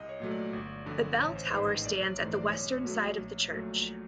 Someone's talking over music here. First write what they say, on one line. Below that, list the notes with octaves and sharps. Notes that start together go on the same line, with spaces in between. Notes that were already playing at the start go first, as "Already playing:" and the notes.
The bell tower stands at the western side of the church.
Already playing: C2 D#5
C#5
A#2 F#3 A3
D5
G1
F2 D3
A1 C#5
C5
B4
G#2 D#3 C5
D#5
A#1 D5
C#5
G#2 E3 A3 C5
D5
B1 C#5
B2 F#3 A3
A#1
A#2 F#3 A3